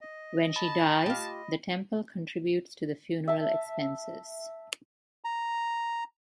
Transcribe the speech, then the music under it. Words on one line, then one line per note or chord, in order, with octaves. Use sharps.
When she dies, the temple contributes to the funeral expenses.
D#5
A5 B5
F4 G4
E5 A5
A#5